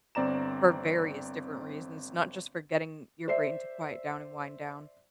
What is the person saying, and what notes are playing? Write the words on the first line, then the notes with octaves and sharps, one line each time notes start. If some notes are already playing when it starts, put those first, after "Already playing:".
For various different reasons, not just for getting your brain to quiet down and wind down.
G1 C4 D5 A#5 E7
C5 D5 E5 C7